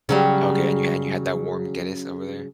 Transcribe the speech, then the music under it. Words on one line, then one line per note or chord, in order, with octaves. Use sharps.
Okay, and you and you had that warm Guinness over there?
C#3 F#3 G3